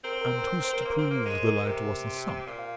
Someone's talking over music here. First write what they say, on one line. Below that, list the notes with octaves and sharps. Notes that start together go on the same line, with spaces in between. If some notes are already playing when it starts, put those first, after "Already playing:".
And who's to prove the lighter wasn't sunk?
C4 A#4
C5
A#4
C5
A#4
C5
A#4
C5
A#4
C5
A#3 A#4
C4 C5
A#3 A#4
C5
G#3 A#4
C5
A#4
C3 A#4
C5
A#2
F5